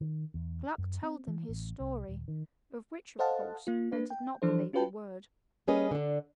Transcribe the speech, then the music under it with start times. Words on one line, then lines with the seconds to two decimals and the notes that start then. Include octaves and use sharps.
Gluck told them his story, of which, of course, they did not believe a word.
0.01 D#3
0.34 E2
0.78 F#2
1.03 C4
1.28 E3
1.49 A1
1.80 C2
2.09 D#1
2.28 D#3
3.19 A4 C5 D#5 F5 F#5 A5
3.67 A#3 F4
3.92 A#3 D4 B4
4.10 G5
4.42 E3 F3 D4 A4 C5
4.73 C#4 F4 F#4 B4 G5 A5
5.67 G3 A#3 C#4 G#4 B4 D#5
5.91 D3 D4